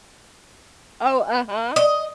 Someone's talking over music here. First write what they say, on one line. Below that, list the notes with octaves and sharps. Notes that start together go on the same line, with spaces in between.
Oh, uh-huh.
D#5